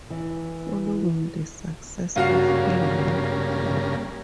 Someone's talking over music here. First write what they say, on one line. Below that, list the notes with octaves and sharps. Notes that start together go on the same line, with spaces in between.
Following the success of Hello?
E3
G2 C#3 A#3 F4 F#4 F5